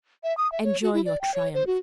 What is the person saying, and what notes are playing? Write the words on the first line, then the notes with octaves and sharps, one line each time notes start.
Enjoy your triumph!
E5
D#6
E5
C#5
F#4
E4
D5
G5
C#5
C5
F#4